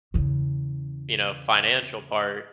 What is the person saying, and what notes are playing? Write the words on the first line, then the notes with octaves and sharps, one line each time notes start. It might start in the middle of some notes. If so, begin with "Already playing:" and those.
you know, financial part
E2 C#3